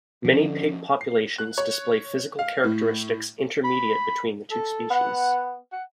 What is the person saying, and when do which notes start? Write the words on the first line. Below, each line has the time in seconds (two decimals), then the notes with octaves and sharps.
Many pig populations display physical characteristics intermediate between the two species.
0.25 D3 F3 C#4
1.01 C7
1.38 F#6
1.58 C#5
2.39 F5
2.64 A2
3.64 B5
4.52 A4
4.90 B3 F#5
5.72 F#5